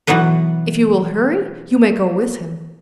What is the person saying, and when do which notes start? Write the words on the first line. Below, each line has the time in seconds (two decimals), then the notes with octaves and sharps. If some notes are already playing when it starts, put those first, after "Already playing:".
If you will hurry, you may go with him!
0.07 B2 E3 F#3 B3 B4